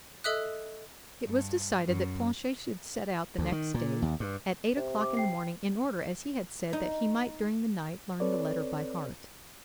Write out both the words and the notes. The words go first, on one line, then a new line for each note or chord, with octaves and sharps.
It was decided that Planchet should set out the next day, at eight o'clock in the morning, in order, as he had said, that he might during the night learn the letter by heart.
A4 D#5 E5 D#6 F#6
G2
F#2
D2
D#3
A#2
D#2
G2
C3
D6
G5 C7
D#4
C4 A4 B4 C#5 D5